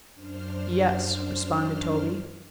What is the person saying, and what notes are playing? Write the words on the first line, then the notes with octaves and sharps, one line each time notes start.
"Yes," responded Toby.
F#2 D4 C5 F6